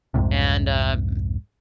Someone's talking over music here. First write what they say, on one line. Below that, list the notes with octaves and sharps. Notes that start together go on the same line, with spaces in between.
and, uh, m
C2 F2 G#2 C3